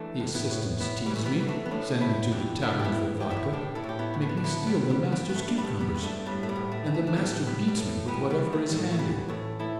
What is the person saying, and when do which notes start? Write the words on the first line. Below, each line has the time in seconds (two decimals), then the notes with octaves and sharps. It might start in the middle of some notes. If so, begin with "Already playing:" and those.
The assistants tease me, send me to the tavern for vodka, make me steal the master's cucumbers, and the master beats me with whatever is handy.
Already playing: E3 A3 D4
0.20 A2
0.34 B3 E4
0.50 A2
0.80 A2 B3 E4
1.06 G3
1.10 E3
1.16 A3
1.25 G3 B3
1.41 E3
1.48 A3 D4
1.66 B3
1.71 A2 A3 D4
2.01 A2 B3 E4
2.31 E3 D4 G4
2.62 E3 A3 D4
2.79 G4
2.84 B3 E4
2.93 E3
3.20 A2 G4
3.30 B3 E4
3.53 A2 D4 G4
3.75 E4 A4
3.84 A2
3.89 G4
3.99 B3 E4
4.14 A2
4.22 A3
4.29 B3
4.37 D4
4.44 D3 B3 E4
4.67 G3 B3
4.74 G2
4.90 G3 B3
5.05 G2
5.12 G3 B3
5.30 B3
5.35 G2 A3
5.48 D4
5.58 G3 B3
5.65 G2
5.80 G3 B3
5.95 G2
6.03 A3 D4
6.26 A2 G3 B3
6.43 A3
6.49 G3 B3
6.56 A2
6.72 A3
6.86 E3
6.94 A3
7.07 D4
7.16 A2 G3 B3
7.46 A2 G3 B3
7.68 G3
7.77 A2 A3
8.07 E3 G3 B3
8.30 G3 B3
8.39 E3
8.53 A3
8.69 A2 G3
8.76 A3
8.92 A3
8.99 E3 G3 B3
9.28 A2 A3
9.59 A2 E4 A4